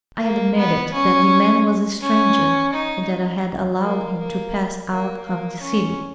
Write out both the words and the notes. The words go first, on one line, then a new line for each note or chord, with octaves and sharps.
I admitted that the man was a stranger, and that I had allowed him to pass out of the city.
A#3
B3
C#4
C#4
D#4
A#3
A#3
A#3
A#3
C#4